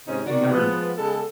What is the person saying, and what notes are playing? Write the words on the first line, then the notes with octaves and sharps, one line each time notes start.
It never
G#2 C3 D#3 C#4 D#4
D#3 F#4 D5
F3 G#3 B3
C#3 G#3 B3 A4